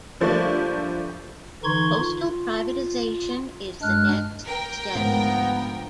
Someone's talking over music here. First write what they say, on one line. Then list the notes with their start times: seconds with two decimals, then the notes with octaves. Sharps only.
Postal privatization is the next step.
0.21 D3 F3 G3 A3 A#3 D4
1.64 D3 E3 D#4 C6 C#6 G#6
1.99 F4
3.82 G2 G#3 D4 F6 F#6
4.43 A#4 G5
4.95 G#2 D3 F3 A3 B3